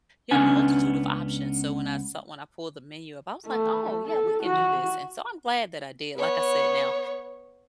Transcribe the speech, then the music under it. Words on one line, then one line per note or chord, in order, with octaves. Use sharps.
you have a multitude of options." So when I saw when I pulled the menu up, I was like, "Oh, yeah. We can do this," and so I'm glad that I did. Like I said now,
C#2 B3 C#4 D4 G#5
A3
A4
F#4
B3 C#5